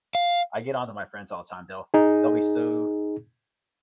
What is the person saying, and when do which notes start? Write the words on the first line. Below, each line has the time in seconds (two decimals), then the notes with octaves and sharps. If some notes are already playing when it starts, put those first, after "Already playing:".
I get onto my friends all the time, they'll they'll be so
0.15 F5
1.94 D#4 G#4